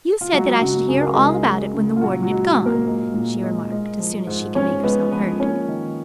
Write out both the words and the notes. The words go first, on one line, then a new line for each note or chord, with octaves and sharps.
"You said I should hear all about it when the Warden had gone," she remarked, as soon as she could make herself heard.
F4
F#3 G#3 F#4
C#3 F#3 F#4
C#2 G#4
A#4
C#2 G#3 G#4
G#3
C#3
F4
A#2 F#3 F#4
F#3 F#4
G#3
A#2
A#3 A#4
G#3
A#2
G#3
G#3
F3
G#2
G#2 C#4 C#5
G#3 B3 B4
F3 B3 B4
A#3 C#4 C#5
D#3